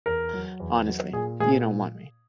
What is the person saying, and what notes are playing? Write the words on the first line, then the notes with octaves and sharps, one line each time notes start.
Honestly, you don't want me.
E2 A#4
F#3
E2
F#3
A#2 G#4
A#2 G#4